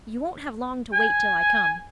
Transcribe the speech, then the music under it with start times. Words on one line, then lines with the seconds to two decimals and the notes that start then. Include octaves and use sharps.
You won't have long to wait till I come.
0.93 G#5